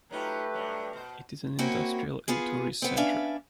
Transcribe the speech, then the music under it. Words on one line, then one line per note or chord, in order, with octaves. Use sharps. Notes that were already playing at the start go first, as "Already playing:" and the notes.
It is an industrial and tourist centre.
F#3 A3 D#4 F4 G4 B4
G2 A#2 F#3
B2 C5
A#3 C4 C#4 E4 F#4
B3 F4 G#4
B3 C4
C#4 D4 B4 E5 F5